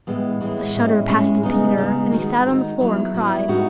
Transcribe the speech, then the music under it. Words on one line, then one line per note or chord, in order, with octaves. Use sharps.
A shudder passed through Peter, and he sat on the floor and cried.
A2 E3 G#3 B3
A2 E3 G#3 B3
A2 G#3 C#4
A2 G#3 C#4
C#3 G#3 B3 D#4
C#3 G#3 B3 D#4
D#3 G#3 D#4 F#4
D#3 G#3 D#4 F#4
F#3 B3 E4
F#3 B3 E4
A2 G#3 D#4 F#4